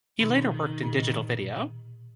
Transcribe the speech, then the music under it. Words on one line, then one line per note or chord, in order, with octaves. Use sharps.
He later worked in digital video.
B2 D#3
D#3
A#2